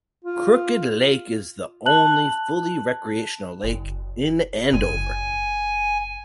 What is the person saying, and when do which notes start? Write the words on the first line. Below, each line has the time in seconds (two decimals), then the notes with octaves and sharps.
Crooked Lake is the only fully recreational lake in Andover.
0.24 F4
1.86 A5 F#6 F#7
3.64 F#1
4.73 F#1 G#5